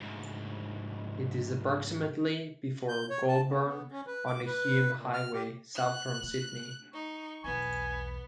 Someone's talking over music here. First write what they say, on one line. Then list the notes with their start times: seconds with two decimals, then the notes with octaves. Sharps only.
It is approximately before Goulburn on the Hume Highway south from Sydney.
0.01 D2 G#2
2.89 G6
3.10 C#5
3.28 A5
3.49 B3
3.65 B3
3.92 C#4
4.07 B4
4.27 D6
4.47 B4
4.97 A#2
5.13 F6
5.33 G4
5.75 F#6
6.23 A3
6.93 D#4 C#6
7.44 B1 E2 B3 G#5